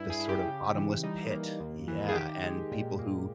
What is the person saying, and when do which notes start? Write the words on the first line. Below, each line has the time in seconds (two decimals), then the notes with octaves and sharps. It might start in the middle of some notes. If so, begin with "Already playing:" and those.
this sort of bottomless pit Yeah, and people who
Already playing: G2 E4
0.10 G#4
0.19 G2 E4
0.29 G4
0.48 C#3
0.75 E3
1.03 G3 D#4
1.31 A#3
1.60 D#2
1.88 E3
2.09 G#4
2.15 D#3 G4
2.44 G#3
2.72 A#2
2.99 A#3